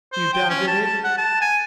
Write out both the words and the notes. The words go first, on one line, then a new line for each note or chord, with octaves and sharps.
"You doubted it?"
C5
G5
C#4
A5
A5
F#5
A5
G#5